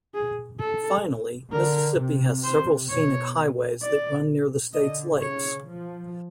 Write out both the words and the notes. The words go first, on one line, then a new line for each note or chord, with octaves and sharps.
Finally, Mississippi has several scenic highways that run near the state's lakes.
G#4
A4
D3 A#4
C3
C5
B2 C#5
D5
D3 D#5
C#3 C#5
F3